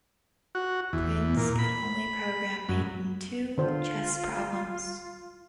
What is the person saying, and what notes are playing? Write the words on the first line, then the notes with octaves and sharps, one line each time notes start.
Prinz could only program mate-in-two chess problems.
F#4
E2
A#2
B5
F#2
D3 F4 C5